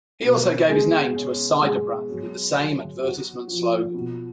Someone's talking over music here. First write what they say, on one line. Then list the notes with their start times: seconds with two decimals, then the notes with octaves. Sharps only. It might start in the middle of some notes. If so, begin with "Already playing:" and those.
He also gave his name to a cider brand with the same advertisement slogan.
0.23 B2
0.69 G#3
1.16 C#4
1.62 G#3
2.09 F#3
2.55 F#3
3.02 F#4
3.48 F3
3.94 B2